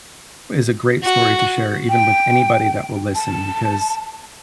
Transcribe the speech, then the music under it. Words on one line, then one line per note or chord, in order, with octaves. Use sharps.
is a great story to share even with anybody that will listen because
F#4
G5
A5